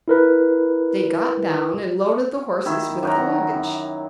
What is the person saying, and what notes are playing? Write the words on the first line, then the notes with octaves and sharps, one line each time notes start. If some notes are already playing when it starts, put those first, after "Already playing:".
They got down and loaded the horses with the luggage.
E4 A#4 B4
D#3 E4
F#2 G5 A#5